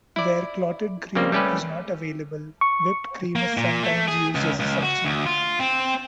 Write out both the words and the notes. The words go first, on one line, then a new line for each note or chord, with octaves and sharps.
Where clotted cream is not available, whipped cream is sometimes used as a substitute.
E4 D5
C#3 G3 A#3 C4
G3 A3 C#4 G4 B4
C#6
A#3
A#2
A3
G#4
C#2
C#2
F#4
D2
F4
C4